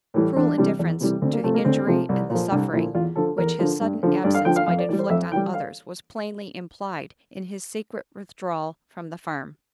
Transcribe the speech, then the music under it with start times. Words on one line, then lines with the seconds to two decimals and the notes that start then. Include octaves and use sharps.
Cruel indifference to the injury and the suffering which his sudden absence might inflict on others was plainly implied in his secret withdrawal from the farm.
0.14 A2 E3 G3
0.36 E2 D4
0.57 C3 E3 G3
0.79 E2
1.01 C3 E3 G3
1.22 D2 C4
1.33 A#3
1.43 C3 F3 A3
1.54 A#3
1.65 D2 C4
1.87 C3 F3
2.09 C2
2.30 A#2 F3
2.51 C2 D4
2.73 A#2 F3 E4
2.94 E2 F4
3.16 D3 F3 A4
3.38 E2 A#4
3.59 D3 F3
3.81 G2
4.03 D3 F3
4.24 G2 D5
4.34 F5
4.45 D3 F3 G5
4.56 F5
4.67 F2 F5
4.78 D5
4.89 E3 G3 D5
4.99 C5
5.10 F2 E5
5.32 E3 G5
5.36 G3
5.54 F5